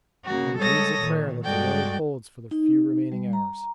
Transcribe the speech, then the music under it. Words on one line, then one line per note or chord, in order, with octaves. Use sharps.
One breathes a prayer that the Road holds for the few remaining hours.
C#3 A#3 F#4
G3 G#3 A4 C#5 D#6 A#6
A#2 D#3
G2 G#3 F#4 A4 D5 G5
D#4
G3
A#5